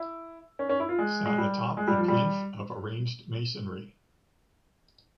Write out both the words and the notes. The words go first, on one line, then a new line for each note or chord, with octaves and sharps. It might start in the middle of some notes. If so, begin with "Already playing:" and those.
Sat atop a plinth of arranged masonry.
Already playing: E4
C#4
C#4
E4
F4
G#3
G#3
G3
G#3
G3
F3
G3